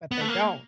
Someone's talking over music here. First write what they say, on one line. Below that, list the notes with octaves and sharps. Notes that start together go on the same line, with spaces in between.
but they don't.
B3
A3
A#3